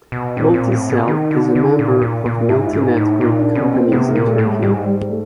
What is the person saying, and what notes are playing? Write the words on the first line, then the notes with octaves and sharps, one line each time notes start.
MultiCell is a member of Multinet Group Companies in Turkey.
B2
A#2 C4
A#2
A2
B2
D#3 D#4
D3
D3
A#2
A#2
A#2
G#2 E4
D#4
E4
G#2
D#4
A2
A#2 D#4
D4
B2 C#4
C4
C3 B3
A#3
A#2
A3
A2
G#3
G#2 G3
G3
A3